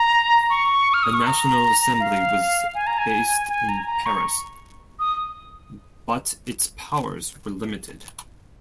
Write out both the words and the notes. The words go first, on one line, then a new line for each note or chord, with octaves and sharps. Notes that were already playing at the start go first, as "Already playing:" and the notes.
A National Assembly was based in Paris, but its powers were limited.
Already playing: A#5
C#6
F6
D#6
C#6
A#5
F5
G#5
A#5
G#5
G#5
A#5
A#5
C#6
D#6